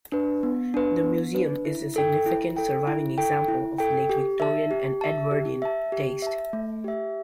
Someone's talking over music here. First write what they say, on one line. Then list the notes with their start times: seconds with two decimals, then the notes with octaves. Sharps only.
The museum is a significant surviving example of late Victorian and Edwardian taste.
0.12 D4 B4
0.43 B3
0.74 D4 B4
1.04 B3
1.35 D4 B4
1.65 E4
1.96 A4 G5
2.26 E4
2.57 A4 G5
2.87 E4
3.18 A4 G5
3.48 E4
3.78 A4 G5
4.09 G4
4.40 E5 A5
4.71 G4
5.01 E5 A5
5.31 G4
5.62 E5 A5
5.92 G4
6.22 E5 A5
6.53 A3
6.84 G4 E5